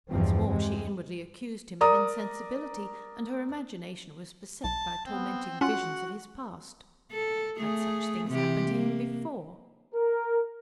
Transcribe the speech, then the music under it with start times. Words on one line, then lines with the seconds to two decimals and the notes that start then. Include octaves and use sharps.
Once more she inwardly accused him of insensibility, and her imagination was beset by tormenting visions of his past...Had such things happened to him before?
0.10 E2 G2 B2 F3 C4
0.47 E2 C3 G#3
1.81 A#4 D5 A#5 D#6
4.64 B1 A5
5.06 B3 C4
5.61 C#4 F4 F#4 F#5
7.12 A4
7.57 A3 G#4
8.28 C3 E3 G4
8.70 A#3
9.95 A#4